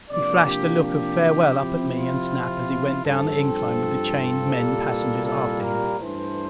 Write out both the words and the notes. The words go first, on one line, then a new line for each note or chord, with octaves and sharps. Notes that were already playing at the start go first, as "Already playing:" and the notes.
He flashed a look of farewell up at me and Snap as he went down the incline with the chained men passengers after him.
C3 F3 A#3 D4 D5
G4
G4
C3 F3 C4 E4
F4
G2 F3 C4 A4
A4
C2 A#2 G3 A#3
A4
A#4
G2 E3 A3 C5